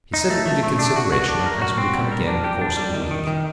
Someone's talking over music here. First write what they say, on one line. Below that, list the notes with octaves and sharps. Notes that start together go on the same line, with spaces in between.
He said it needed consideration, and asked me to come again in the course of a week.
D#4
A3
A3
A3
D4
F#4
F#4
D4
A#4
F#4
C4
G3
A#4
D4
G4
D4
G3
D#3
D#3
D#3